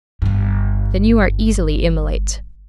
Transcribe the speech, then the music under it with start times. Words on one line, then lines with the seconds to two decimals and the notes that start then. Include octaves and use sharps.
Then you are easily immolate!'
0.22 G1 G2